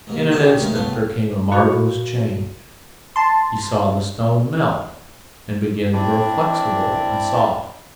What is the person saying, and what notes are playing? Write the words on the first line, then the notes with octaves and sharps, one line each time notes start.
In an instant there came a marvellous change. He saw the stone melt, and begin to grow flexible and soft.
G#2 C3 A#3
F#4 G4 C5 C#5 D#5 F#5
G#3 A3 C#4 A#4 F5
A2 C3 B3 A4 F5 D#6
A#2 F#4 F5 B5 C#6 F#6
A5 C6
C4 D4 E4 D5